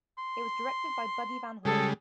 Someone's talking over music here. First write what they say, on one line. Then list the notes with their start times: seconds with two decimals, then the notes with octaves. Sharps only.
It was directed by Buddy Van Horn.
0.18 C6
1.65 C#3 G3 G#3 G#4 A4